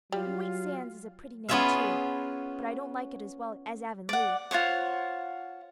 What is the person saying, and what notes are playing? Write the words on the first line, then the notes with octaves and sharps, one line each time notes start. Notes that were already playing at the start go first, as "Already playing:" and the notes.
And White Sands is a pretty name, too; but I don't like it as well as Avonlea.
F#3 G3 F4
B3 C#4 F4 G#4 E5 F5
D5 F#5
F4 C5 C#5 F#5